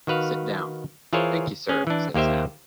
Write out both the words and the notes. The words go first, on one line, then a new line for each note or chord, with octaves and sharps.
'Sit down.’ ‘Thank’ee, sir,’ said Sam.
D#3 F#4 B4 F5
E3 F4 G#4 A#4 C5 C#5
C#4 G#4
E3 D4
D#2 A#3 G4 C5 E5